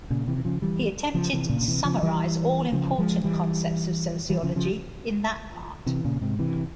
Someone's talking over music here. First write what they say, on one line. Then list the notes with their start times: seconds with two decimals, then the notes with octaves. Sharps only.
He attempted to summarize all important concepts of sociology in that part.
0.10 A#2 C#3
0.27 C3 E3
0.38 E3
0.45 C#3 F3
0.62 E3 G3
1.14 C#3 F3
1.33 C3 E3
1.50 A#2 C#3
1.61 C#3
1.68 C3 E3
1.85 C#3 F3
2.03 E3 G3
2.72 C#3 F3
2.98 F3 G#3
3.24 E3 G3
4.30 E3 G3
4.43 C#3 F3
4.56 C#3 F3
5.86 C3 E3
6.05 A#2 C#3
6.22 G#2 C3
6.39 C3 E3